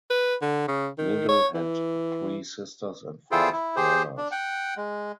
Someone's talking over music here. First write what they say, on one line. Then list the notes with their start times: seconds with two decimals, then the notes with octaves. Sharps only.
Little had three sisters and five brothers.
0.10 B4
0.42 D3
0.68 C#3
0.98 D#3
1.29 C#5
1.55 E3
3.31 E4 F4 G#4 A4 C5 G5
3.53 E4
3.76 G4 G#4 C5
4.17 D4
4.31 F#5 G5
4.77 G#3